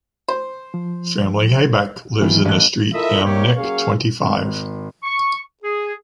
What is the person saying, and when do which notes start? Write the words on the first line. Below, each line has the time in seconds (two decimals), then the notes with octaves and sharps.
Family Habeck lives in the street ‘Am Knick twenty-five’.
0.28 C5
0.74 F3
2.22 B2 D#3 E3 F#3
2.45 A1 F#6
2.92 E4 F4 A4 A#4 D#5 E5
3.23 G#2 C3 G3 A#3 G4 C#5
3.55 F#3 A#3 C#4 G#4 C#5 F5
4.22 G#1
5.03 C#6
5.62 G#4